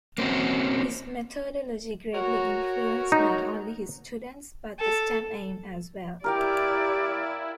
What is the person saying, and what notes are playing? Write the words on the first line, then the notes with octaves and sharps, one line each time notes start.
His methodology greatly influenced not only his students, but the stammaim, as well.
A#3 C4 C#4 F#4
F#4 A#4 C#5
D#4
A4
E4 G4 A#4 D5 F5 G5